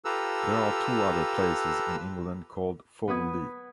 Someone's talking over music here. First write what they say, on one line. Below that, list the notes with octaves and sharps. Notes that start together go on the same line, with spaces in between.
There are two other places in England called Fawley.
F4 G4 A4 B4 A#5 E6
B3 B4 D#6 G#6